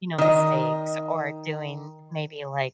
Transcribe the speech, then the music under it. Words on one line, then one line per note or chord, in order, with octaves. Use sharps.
you know, mistakes or doing maybe like
D#3 D#5